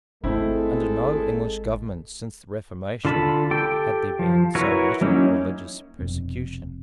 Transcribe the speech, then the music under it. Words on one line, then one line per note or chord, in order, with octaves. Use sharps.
Under no English government since the Reformation, had there been so little religious persecution.
G#1 G#3 A3 C4 E4 A4
D3 F4 A5 B5
G4 A4 G5
F3
E4 F#4 A#4 B4 C#5
F#3 A#3 C#4 D#4 E4
F1 F2 B2 C4